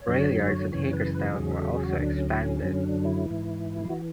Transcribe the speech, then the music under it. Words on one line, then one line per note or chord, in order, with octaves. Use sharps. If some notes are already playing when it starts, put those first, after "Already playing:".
Rail yards at Hagerstown were also expanded.
Already playing: C#5
F#2 D3 F#3
F#2 C#3 E3 C#5
B4
B4
E2 C#3 F#3 G#4
A4
G#4
F#4
D2 D3 F#3 D4
C#4
C#4
F#2 D3 F#3 C#4
D4
E4
G#2 E3
E3 F#4